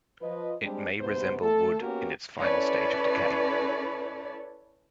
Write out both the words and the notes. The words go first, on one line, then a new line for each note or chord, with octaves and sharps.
It may resemble wood in its final stage of decay.
F3 B4 D#5
G3 G#3 C4 D4 G4
D2 G#2 C3 B3 B4 C5
A3 A4
A#3 B3 C#4 F#4 G4 A#4
C#4 E4 A4 B4 C#5 D5